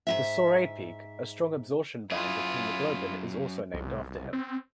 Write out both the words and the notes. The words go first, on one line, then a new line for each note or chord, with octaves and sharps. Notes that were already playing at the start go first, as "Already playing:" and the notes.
The Soret peak, a strong absorption band of hemoglobin is also named after him.
G#2 B2 E5
F#2 E4 F4 G#4
C2
C4